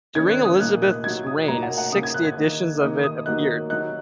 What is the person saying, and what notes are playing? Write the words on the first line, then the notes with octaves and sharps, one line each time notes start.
During Elizabeth's reign sixty editions of it appeared.
D#3 A#3 C#4 G#6
F#6
D#6
A#2 A#3 D#4 F#6
F#6
F#3 D#4 G#6
D#6
F#3 A#3 D#4 A#5
F#5
F#5
C#3 A#3 D#4 D#6
G#6
F#6
G#6
D#3 A#3 D#4
D#3 A#3 D#4 D#6
D#6
D#3 F#3 A#3 D#4 F#6
F#3 D#4 F#6